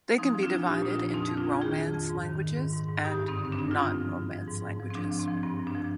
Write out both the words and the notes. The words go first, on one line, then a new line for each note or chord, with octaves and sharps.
They can be divided into Romance languages and non-Romance languages.
F3 C4 D#4
F3
D4 F4
F3
A#2 D#4 G4
A#2 D#4
D4 F4
F3
F2 C4 D#4
F2
D4 F4
F2
D#3 F4 G#4
F2
F2
G#2
D#3
D#3
G#2
G#2
G#2
G2 D#4 G4
G2
C4 D#4
D3
C4
G2 D4
G2 F4
C4 D#4
G2
F3
G#2
F3
G#2
G#2
F3
C4
F3 D4
F3
C4
F3
G2 C4
G2
D4
F3